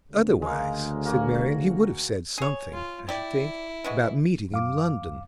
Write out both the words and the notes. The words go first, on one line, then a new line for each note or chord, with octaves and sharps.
'Otherwise,' said Marian, 'he would have said something, I should think, about meeting in London.'
D2 C#3
G#3 A#3
A#3 F#4 G#5
G#4 C#5
F4
E4 G4 D5
E3 G#3 F#4
F#2 F5 D6